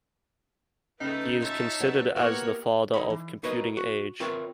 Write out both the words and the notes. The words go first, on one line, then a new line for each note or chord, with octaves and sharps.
He is considered as the 'father of computing age'.
C#3 A3 D#4 B4
F4 C#5 E5 A5
F#3 B3
A#3 B3 E4 F#4 G4 A#4 C#5 C#6
C#2 D#4 B5
E3
D#4 F#4 A#4 B4 C#5 D#5
F#4
C4 F4 A#4 B4 C#5 E5